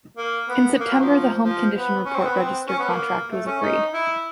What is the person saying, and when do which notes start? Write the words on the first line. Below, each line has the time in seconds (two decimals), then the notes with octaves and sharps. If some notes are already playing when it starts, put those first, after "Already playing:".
In September the Home Condition Report Register contract was agreed.
0.17 A#3
0.49 B3
0.80 A#3
0.91 F#3
1.01 F3
1.43 F3
1.75 B3
2.06 C#4
2.16 C4
2.26 B3
2.36 C4
2.68 C#4
2.79 B3
2.89 A#3
3.31 A3
3.47 C#4
3.62 D#4
3.94 E4